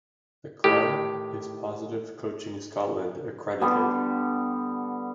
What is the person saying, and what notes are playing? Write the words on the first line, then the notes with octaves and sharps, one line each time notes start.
The club is Positive Coaching Scotland accredited.
A2 D#3 G4
D3 G3 B3 G4